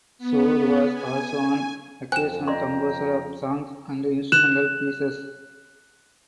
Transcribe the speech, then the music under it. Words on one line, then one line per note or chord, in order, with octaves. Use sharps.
Shore was also an occasional composer of songs and instrumental pieces.
B3
G#5
F2 C5 G5 G#5 F#6 E7
D5 D#5 G5 A#5 C6
F#6 E7 F#7